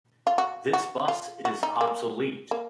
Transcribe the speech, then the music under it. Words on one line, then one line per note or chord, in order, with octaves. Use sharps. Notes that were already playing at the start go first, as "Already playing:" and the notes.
This bus is obsolete.
F4
F#4
F#4
F4
F#4
D#4
A#3
A#3